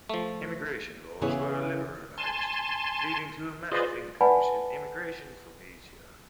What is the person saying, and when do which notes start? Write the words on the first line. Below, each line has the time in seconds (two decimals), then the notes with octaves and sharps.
Immigration laws were liberalised, leading to a massive increase in immigration from Asia.
0.09 F3 A3
1.21 C#3 E3 B3 E4 G#4 C#5
2.18 G#5 A5 C6
3.72 F4 G#4 B4 C5 D5 D#5
4.21 B4 D5 F#5 G#5 A5 B5